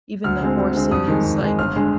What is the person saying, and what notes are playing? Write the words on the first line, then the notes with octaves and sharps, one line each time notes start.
even the horses, like,
D2 F6
D3 G#3 C4
D2
D3 G#3 C4
F2 D#6
D#3 G#3
F2
D#3 G#3
G1 F6
D3 G#3